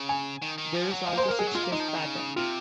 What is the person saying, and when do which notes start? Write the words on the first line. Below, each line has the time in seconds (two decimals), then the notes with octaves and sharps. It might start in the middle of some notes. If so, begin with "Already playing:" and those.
There is also six-stress pattern.
Already playing: C#3
0.09 G#5
0.42 D#3
0.58 D#3
0.74 F3
0.91 F#3
1.07 G#3 F5
1.15 A#3 C5
1.23 G#3
1.28 A#3 A#4
1.39 G#3 G#4
1.47 F#3
1.55 G#3 F4
1.63 A#3
1.72 G#3 D#4
1.80 F3
1.88 D#3
1.96 C#3
2.36 C3 F4